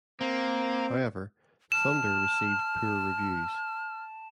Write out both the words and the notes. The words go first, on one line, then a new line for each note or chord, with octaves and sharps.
However, "Thunder" received poor reviews.
A#3 C4
A5 F6 E7